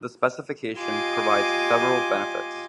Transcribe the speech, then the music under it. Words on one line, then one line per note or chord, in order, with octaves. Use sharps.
The specification provides several benefits.
F4 G4 D#5 G#5 C6 D6